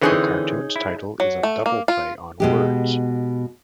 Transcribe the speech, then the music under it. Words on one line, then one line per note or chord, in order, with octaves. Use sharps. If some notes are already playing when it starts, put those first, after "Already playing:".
The cartoon's title is a double play on words.
D3 E3 C4 D#4 G#4 C#5
E4
F#3
A3
A#3
F4
B2 G#3 G4